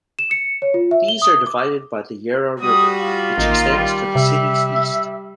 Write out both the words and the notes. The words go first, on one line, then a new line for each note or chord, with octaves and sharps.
These are divided by the Yarra River, which extends to the city's east.
E7
C#7
C#5
F4
E5
G7
D#6
D6
G3 F#4 D#6
F4
A1 D#3 A#3 D#4
G3
C3 E5